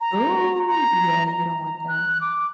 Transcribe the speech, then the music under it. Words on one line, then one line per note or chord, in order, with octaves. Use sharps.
Ooh, yeah, you don't want that.
A#5
A#5
A#5
F#6
D6